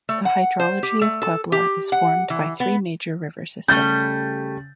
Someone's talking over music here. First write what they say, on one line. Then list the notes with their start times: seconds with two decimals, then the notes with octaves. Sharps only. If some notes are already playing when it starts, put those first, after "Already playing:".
The hydrology of Puebla is formed by three major river systems.
0.09 A3
0.25 F#5
0.60 C5
0.83 G4
1.01 A3
1.22 A4
1.52 G4
1.92 F#5
2.30 E3
2.60 B3
3.68 C#3 G3 A3 G6 A6